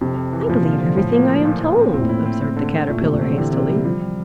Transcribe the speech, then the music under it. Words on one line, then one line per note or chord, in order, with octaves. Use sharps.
"I believe everything I am told," observed the Caterpillar, hastily.
F2 C3
F2
E3
A#2 F3
C3 F4
D3
F3
A2 F3
A#3
F3
A#2
F3
C4
A#2 C4
A2
A#2 E4
C4
C4
D3
C4
A#2 A3
C3 A3
A#2
D3 C4
C3 E3
C3
G3
F3 G3
G3